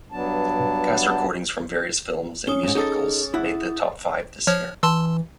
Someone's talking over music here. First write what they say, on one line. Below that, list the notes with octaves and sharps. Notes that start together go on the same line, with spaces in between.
Cast recordings from various films and musicals made the top five this year.
G2 F#3 B3 D4 A5
C#4 D#6 G7
F2 G#2
D#4 G#4 A4 D#6 A6
E4 F#5
F3 C#5 F6
E3 A5 C6 E6